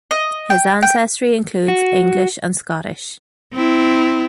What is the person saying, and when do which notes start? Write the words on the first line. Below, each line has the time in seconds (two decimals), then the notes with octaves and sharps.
His ancestry includes English and Scottish.
0.11 D#5
0.50 G5
0.82 G5
1.68 F#4
3.53 C4 E4